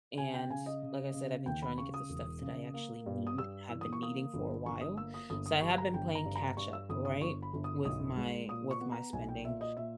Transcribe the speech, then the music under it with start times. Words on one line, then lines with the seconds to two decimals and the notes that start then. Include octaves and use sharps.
and like I said, I've been trying to get the stuff that I actually need, have been needing for a while, so I have been playing catch-up, right, with my with my spending,
0.18 C#3 G#5
0.34 G5
0.50 C#3 G#5
0.66 D#5
0.82 C#3
1.14 C#3
1.46 D#2 G5
1.62 B5
1.78 C#3 C#6
1.94 D#6
2.09 E1
2.41 C#3
2.74 A#3
3.06 G2
3.27 D#6
3.38 G2 E6
3.70 E3 E6
3.81 D#6
3.93 C#6
4.02 A#3 D#6
4.34 G1
4.66 G1 C#6
4.81 D#6
4.97 A#3 E6
5.14 D#6
5.30 G1 D#6
5.46 D#6
5.61 G3 C#6
5.78 A#5
5.94 G1 G5
6.15 A#5
6.25 G2
6.36 A#5
6.57 G2 C#6
6.73 E6
6.89 G1 D#6
7.05 D#6
7.21 G1 C#6
7.42 B5
7.53 G1
7.64 D#6
7.85 B1 D#6
8.17 G#3
8.49 A#2 D#6
8.71 C#6
8.81 B3
8.92 A#5
9.13 B1 G#5
9.29 G5
9.44 A#2 E5
9.61 D#5
9.77 A#2 E5